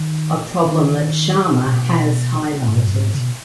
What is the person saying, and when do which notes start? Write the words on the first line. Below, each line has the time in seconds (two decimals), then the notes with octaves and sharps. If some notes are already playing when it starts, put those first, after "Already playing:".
A problem that Sharma has highlighted.
Already playing: D#3
0.65 D#3
1.66 B2
2.68 G#2
2.87 F#2
2.93 G#2
3.14 C#3
3.19 B2